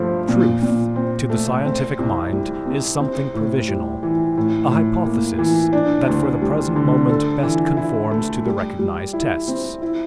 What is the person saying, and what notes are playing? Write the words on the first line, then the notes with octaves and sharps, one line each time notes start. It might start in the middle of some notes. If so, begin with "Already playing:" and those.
Truth to the scientific mind is something provisional, a hypothesis that for the present moment best conforms to the recognized tests.
Already playing: G2 F3 A3
A#2
A#2
C4
A3
C4
C2
G3
C3
C4
A2
G3
E3
A2
A2
A#3
E3
D4
D2
G3
D3
A4
E3
E4
A3
G3
G3
E4
C4
E4